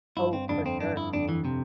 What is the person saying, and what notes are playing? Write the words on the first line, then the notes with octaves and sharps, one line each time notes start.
Oh, for sure.
G1 E4
C4
F2 D3 D4
C4
G1 D4
E4
F2 D3 D4
E3
C3